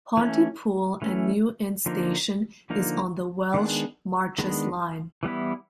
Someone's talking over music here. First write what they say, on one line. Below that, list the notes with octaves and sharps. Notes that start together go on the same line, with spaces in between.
Pontypool and New Inn station is on the Welsh Marches Line.
E3 A3 C#4
E3 A3 C#4
D3 F3 A#3 D#4
D3 F3 A#3 D#4
D#3 G#3 B3 D4
D#3 G#3 B3 D4
E3 G3 B3 E4